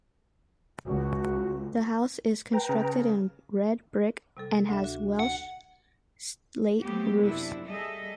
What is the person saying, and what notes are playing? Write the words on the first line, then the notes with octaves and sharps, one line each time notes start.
The house is constructed in red brick and has Welsh slate roofs.
C#2 F#4
B4 G5 A#5
C#3
C3 G3 A4
D2 D4 E5
F#4
F#5
F#3 A3 B3 C4 G4
F#2 C3 D4 E4
G3 G#4 A4 D#5 E5